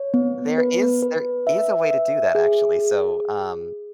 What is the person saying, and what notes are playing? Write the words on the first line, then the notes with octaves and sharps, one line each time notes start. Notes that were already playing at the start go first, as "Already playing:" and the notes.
There is there is a way to do that, actually, so, um,
Already playing: C#5
B3
B4
B4
E5
E5
G#4
G#4